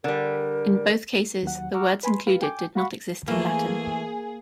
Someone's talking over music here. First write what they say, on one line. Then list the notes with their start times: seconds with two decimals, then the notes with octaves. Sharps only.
In both cases, the words included did not exist in Latin.
0.04 D3 G3 A#4
1.43 D#2 F#3 F#5
1.74 F#5 A#5 C#6 D6 E6 F6
2.03 B4 G#5 B5 C6
2.27 F4 G4 B4 F5
2.42 G5 G#5 D6 G6
2.75 F#4 F5 F#5 B5 C#6
3.28 E3 A3 A#3 G#4 G#5